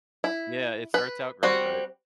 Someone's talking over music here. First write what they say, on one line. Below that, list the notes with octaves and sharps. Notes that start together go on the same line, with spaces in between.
Yeah, it starts out great, right?
E4
B4
G3 C4 F#4